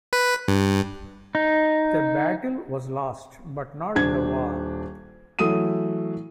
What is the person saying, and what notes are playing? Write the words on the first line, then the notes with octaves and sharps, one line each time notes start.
The battle was lost but not the war.
B4
G2
D#4
D#1 D4 G#6
E3 F#3 A3 D#6 D#7